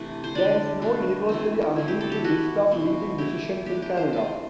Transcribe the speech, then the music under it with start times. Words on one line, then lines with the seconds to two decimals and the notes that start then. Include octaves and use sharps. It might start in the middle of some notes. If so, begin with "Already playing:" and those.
There is no universally agreed-to list of "leading decisions" in Canada.
Already playing: C3 E3 A3 D4 B4
0.24 C5
0.35 D3 G3 D4 D5
0.82 B2 A3 D4
1.29 E3 A3 C4
1.76 D3 F#3 C4 E4
1.88 G4
2.01 A4
2.12 G4
2.24 E3 B3 E4 F#4
2.71 B2 G3 C4
3.18 E3 A3 E4 G4
3.66 E3 B3 D4 G4
3.82 G4
3.97 C5
4.13 E3 A3 C4 D5